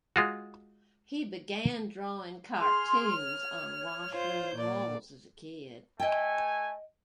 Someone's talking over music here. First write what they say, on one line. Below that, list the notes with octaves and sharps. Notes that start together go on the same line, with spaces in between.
He began drawing cartoons on washroom walls as a kid.
G#3 F4 F#4
G#4 C6 F6
C#5
F4 C5 G6
A#2 D5
A3 D#5 G5 G#5